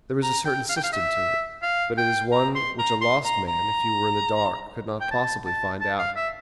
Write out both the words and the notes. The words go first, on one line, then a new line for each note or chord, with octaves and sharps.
There is a certain system to it, but it is one which a lost man, if he were in the dark, could not possibly find out.
A#5
G5
F5
G5
F5
E5
F5
G5
A#5
C6
A#5
C6
A#5
A#5
G5
A5
A5
A5
F5
E5